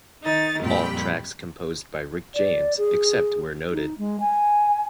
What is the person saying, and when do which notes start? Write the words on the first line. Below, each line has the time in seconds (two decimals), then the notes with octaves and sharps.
All tracks composed by Rick James, except where noted.
0.22 D#3 D#4 A6
0.61 F2 A#2 G3 G4 G5 B5
2.35 D5
2.78 G#4
3.71 D#4
3.98 G#3
4.20 G#5